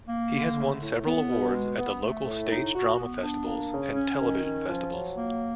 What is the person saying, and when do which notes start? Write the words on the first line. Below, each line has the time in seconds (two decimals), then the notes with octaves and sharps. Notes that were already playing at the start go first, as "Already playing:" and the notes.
He has won several awards at the local stage drama festivals and television festivals.
0.08 A#3
0.33 D3
0.57 A3
0.81 A2
1.06 B3
1.30 B2
1.54 G#3
1.78 B3
2.03 A3
2.26 A2
2.51 D#4
2.75 F#4
2.99 B3
3.24 D4
3.47 A#3
3.71 C#3
3.96 C#4
4.21 D#3
4.45 C#4
4.69 F3
4.93 F#3
5.18 A#3